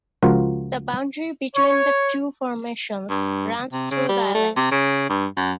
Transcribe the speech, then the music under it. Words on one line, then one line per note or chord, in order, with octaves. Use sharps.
The boundary between the two formations runs through the islands.
C#2 F3 F4 F#4 A#4
C#5
G2
C3
C#3
G3
A3
C3
C#3
G2
F#2